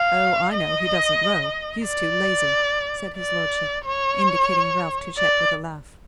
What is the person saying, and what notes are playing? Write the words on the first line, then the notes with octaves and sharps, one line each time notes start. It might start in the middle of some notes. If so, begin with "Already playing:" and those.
"Oh, I know he doesn't row; he's too lazy," said his lordship, indicating Ralph Touchett with a laugh.
Already playing: F5
D#5
D5
D5
C#5
D5